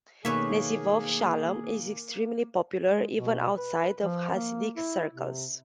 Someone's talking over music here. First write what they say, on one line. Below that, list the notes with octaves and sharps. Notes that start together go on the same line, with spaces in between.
"Nesivos Shalom" is extremely popular even outside of Hasidic circles.
B2 D#3 A3 A#3 G#4 B4 C#5 E5
G#3
B2
B4
F3
A#3
E4
C3